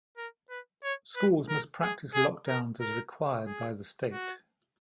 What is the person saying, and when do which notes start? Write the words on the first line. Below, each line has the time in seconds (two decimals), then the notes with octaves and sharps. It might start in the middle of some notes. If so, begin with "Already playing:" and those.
Schools must practice lockdowns, as required by the state.
0.17 A#4
0.50 B4
0.83 C#5
1.16 B4
1.49 A#4
1.82 G#4
2.15 G#4
2.48 A#4
2.80 A#4
3.46 G#4
4.12 F#4